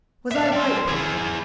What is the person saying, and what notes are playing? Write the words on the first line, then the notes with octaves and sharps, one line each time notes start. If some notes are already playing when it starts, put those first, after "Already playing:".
Was I right, pater?
E5 F5
G3 C4
E4 G#4